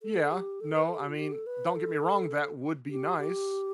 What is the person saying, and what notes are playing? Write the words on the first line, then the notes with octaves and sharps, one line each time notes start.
Yeah, no, I mean, don't get me wrong, that would be nice,
A4
G4
A4
B4
A4
G4
F4
G4
A4
B4
A4
G4
G4